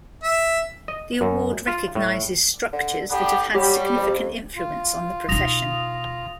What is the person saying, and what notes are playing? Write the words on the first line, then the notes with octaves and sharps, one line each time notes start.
The award recognizes structures that have had significant influence on the profession.
E5
D#5
F#2
F4
A2
D3
D3 B3 D4 G4
F#3 G3 G4
F2
F4
B2 D#4 D#6 A#6 F7